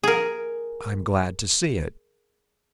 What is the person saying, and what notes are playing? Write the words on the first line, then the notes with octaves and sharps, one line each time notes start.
"I'm glad to see it."
G#4 A#4